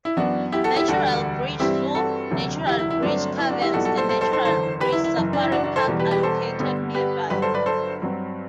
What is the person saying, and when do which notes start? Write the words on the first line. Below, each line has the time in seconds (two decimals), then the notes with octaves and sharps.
Natural Bridge Zoo, Natural Bridge Caverns and Natural Bridge Safari Park are located nearby.
0.05 E4
0.17 F#2 E3 B3 D4 F#4
0.52 E4 G4
0.64 F#4 A4
0.76 E4 G4
0.88 E1 D2 D3 G3 F#4 A4
1.60 G2 E3 G3 C4 E4 G4
1.95 F#4 A4
2.31 E1 D2 C3 F#3
2.66 E4 G4
2.79 E4
2.90 E4
3.02 G1 G2 F#3 A3 C4 D4
3.38 E4
3.50 D4 F#4
3.62 E4 G4
3.74 B1 A2 G3 B3 F#4 A4
3.85 F#4 A4
3.97 A4 C5
4.09 A4 C5
4.21 A4 C5
4.33 A4 C5
4.44 F#1 E2 D3 A4 C5
4.80 G4 B4
4.93 E4
5.04 E4
5.16 F#1 F#2 E3
5.33 D4
5.43 E4
5.52 D4 F#4
5.64 D4 F#4
5.76 A4 C5
5.87 E2 B2 G3
6.00 G4 B4
6.11 G4 B4
6.23 A4 C5
6.59 G2 D3 G3 B3
6.94 G4 B4
7.30 G1 G2 F#3 G4 B4
7.42 A4 C5
7.54 B4 D5
7.66 A4 C5
8.02 G2 F#3 C4